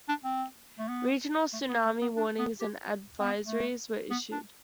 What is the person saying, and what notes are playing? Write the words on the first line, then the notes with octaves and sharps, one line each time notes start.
Regional tsunami warnings and advisories were issued.
D4
C4
A3
B3
A3
B3
A3
B3
D4
B3
G4
C4
B3
A3
B3
D4